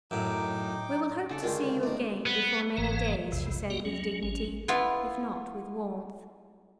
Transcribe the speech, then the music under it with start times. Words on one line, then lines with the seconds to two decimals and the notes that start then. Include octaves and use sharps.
"We will hope to see you again before many days," she said with dignity, if not with warmth.
0.11 F#2 A2 D#4 G5 D6
1.29 C#3 A4 D5
1.42 C#2 D3 D#3 C#4 F4 G4
1.83 A2 D#4 D5
2.26 B3
2.77 G1 G#2 E3 F5 A#5
3.32 B1 E2 C3
3.70 A#3 F#4 G4 F#5
3.85 F#3 C#4
4.23 G#1 C#4
4.68 B3 E4 F4 F5